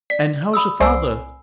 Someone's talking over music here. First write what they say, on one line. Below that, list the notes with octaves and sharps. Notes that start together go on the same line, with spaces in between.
"And how's your father?"
D5 B6
B5 D#6 E6
C2 C5 D5 G#5 E6